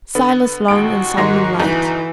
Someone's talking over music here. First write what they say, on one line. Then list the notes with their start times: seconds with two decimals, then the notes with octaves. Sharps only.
Silas Long and Solomon Light.
0.15 D3 B3
0.68 A1 D#2 F#4 D7
1.17 G#2 D#3 G#3 A#6
1.60 G1 E3 D#4